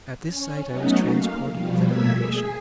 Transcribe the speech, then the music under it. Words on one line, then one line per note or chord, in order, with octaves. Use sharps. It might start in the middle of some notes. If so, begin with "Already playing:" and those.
At this sight I was transported with admiration.
C#4
F#3 A3 B3 C#4 D#4 F#4
A#3 F5
B2 F3 G3
B2 A3 A#3 E6 G#6 B6
G#4